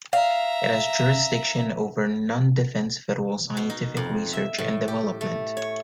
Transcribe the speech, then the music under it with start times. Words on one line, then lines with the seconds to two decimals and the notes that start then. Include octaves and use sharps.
It has jurisdiction over non-defense federal scientific research and development.
0.13 E5 F5 A#5
3.57 B2
3.70 D#4
3.97 F2
4.33 E5
4.58 A2
4.88 G4
5.21 A3
5.57 C#5